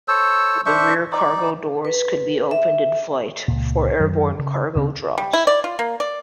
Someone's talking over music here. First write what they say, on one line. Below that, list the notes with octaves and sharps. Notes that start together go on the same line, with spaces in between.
The rear cargo doors could be opened in flight for airborne cargo drops.
A4 C5 C#5 E6
D4 C5 E5 C#6
D#4 D5
B4
E5
C#2 A#2
F#2 D#3 F#3
C#3
D2 C#3 C4
G3
E4
D5
F4
A#3
D5